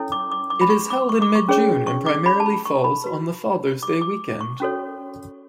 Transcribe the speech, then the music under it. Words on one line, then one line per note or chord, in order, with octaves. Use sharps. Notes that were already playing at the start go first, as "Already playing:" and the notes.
It is held in mid-June and primarily falls on the Father's Day weekend.
Already playing: C#4 E4 A4 C#5
D6
D6
D6
B5
C#6
D6
C#6
D6
C#6
C#4 G#4 C#5
C#6
D6
B5
A5
B5
C#6
B5
F#4 B4
D6
D6
C#6
C#4 F#4 A4 C#5